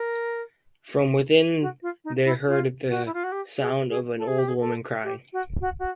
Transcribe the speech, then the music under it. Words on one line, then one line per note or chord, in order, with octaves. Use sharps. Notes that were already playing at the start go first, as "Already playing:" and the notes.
From within they heard the sound of an old woman crying.
Already playing: A#4
F#4
F4
D#4
E4
F4
F#4
E4
F4
F#4
G4
G#4
G#4
A4
G#4
G4
G#4
A4
G4
F#4
F#4
F#4